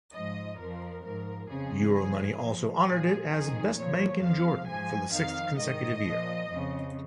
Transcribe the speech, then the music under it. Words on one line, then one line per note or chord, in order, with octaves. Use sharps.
Euromoney also honored it as "Best Bank in Jordan" for the sixth consecutive year.
G#2 F3 D#5
F2 F3 A#4
G#2 F3 A#4
F2 C#3 F3 G#4
G#2 F3 G#4
A#2 F3
A#2 F3 G#4
F2 D#3 G#4
A#2 F3 C#5
F2 F3 F5
G#2 F3 G#5
F2 D#3 F5
G#2 D#3 D#5
A#2 F3
F2 C#3 F3